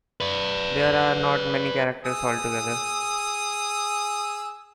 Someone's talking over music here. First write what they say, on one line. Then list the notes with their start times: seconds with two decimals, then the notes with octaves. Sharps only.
There are not many characters altogether.
0.21 B4 D5
2.05 G#4 D#6 E6